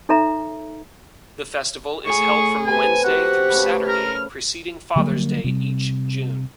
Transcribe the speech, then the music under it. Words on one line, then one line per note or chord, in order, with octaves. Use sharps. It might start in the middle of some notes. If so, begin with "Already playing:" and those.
The festival is held from Wednesday through Saturday preceding Father's Day each June.
D#4 A4 C#5 E5 A#5
A2 G#4 B5 C#6
B3 C4 G4 A4 G#5
C3 F3 F#4 G4 F#5
C#3 A3 B4
A#4 F6
D3 F#3 G3 A#3
C3 G3